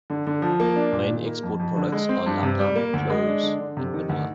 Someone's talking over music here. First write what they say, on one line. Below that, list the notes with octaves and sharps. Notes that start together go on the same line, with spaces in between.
Main export products are Ylang Ylang, cloves and vanilla.
D3
D3
F3
A#3
D4
A#2
D#3
A#3
F2
F2
D3
G#3
C4
G2
C3
G3
A#3
D2
G#3
D4
D3
D3
C3
D#3
D2